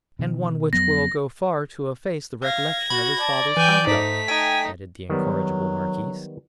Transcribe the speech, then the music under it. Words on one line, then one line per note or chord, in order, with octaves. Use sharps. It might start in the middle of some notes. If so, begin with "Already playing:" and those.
"And one which will go far to efface the recollection of his father's conduct," added the incorrigible marquise.
B2 D#3
F2 F#3 B3 A#6
F5 G#6 A#6
F#4 B5
D5 A5
E3 G5 G#5 G6
G#2 A3 D#4 B6
D#4 G5 G#5
D#3 F#3 G3 B3